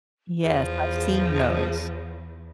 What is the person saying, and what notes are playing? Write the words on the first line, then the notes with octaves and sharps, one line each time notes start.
Yes, I've seen those.
E2 F3 G#4